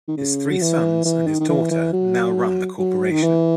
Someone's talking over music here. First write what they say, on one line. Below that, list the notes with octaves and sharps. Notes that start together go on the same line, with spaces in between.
His three sons and his daughter now run the corporation.
D#3
C#3
F#3
E3
E3
D#3
D#3
E3
E3
F#3
F#3
D#3
E3